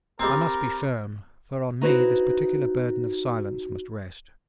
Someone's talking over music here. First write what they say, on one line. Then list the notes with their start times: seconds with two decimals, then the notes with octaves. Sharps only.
I must be firm, for on me this particular burden of silence must rest.
0.19 G3 C4 A#4 A#5
1.81 D#4 E4 F#4 B4 C5